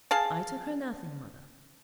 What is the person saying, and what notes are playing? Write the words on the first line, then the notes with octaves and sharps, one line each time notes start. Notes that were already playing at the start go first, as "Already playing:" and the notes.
'I took her nothing, Mother.
G#4 F5 A5